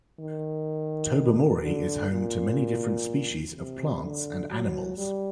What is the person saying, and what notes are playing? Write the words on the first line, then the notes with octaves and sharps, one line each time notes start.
Tobermory is home to many different species of plants and animals.
D#3
D3
A#2
C3
D3
F#3
G3